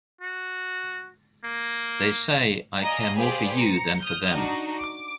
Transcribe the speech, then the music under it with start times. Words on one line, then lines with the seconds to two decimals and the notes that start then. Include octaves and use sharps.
They say I care more for you than for them.
0.21 F#4
1.44 A#3
2.81 D5 D#5 F5 G#5 A#5
3.16 G4 G#4 B4 C5 D5 F5
3.54 A#5 C#7
4.01 D#6 F6 G6
4.33 D4 D#4 F#4
4.79 D6